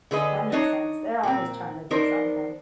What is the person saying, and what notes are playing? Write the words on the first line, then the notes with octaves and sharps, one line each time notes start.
That makes sense. They're always trying to do something.
D3 G#4 B4 D#5
D4 D#4 C#5 D#5 A5
A#2 C4
B3 D4 D#4 A#4 C5